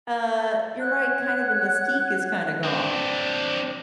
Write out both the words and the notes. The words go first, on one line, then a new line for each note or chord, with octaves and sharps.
Uh, you're right, kind of the mystique is kinda gone.
C#5 F#5 F#6
C4 D4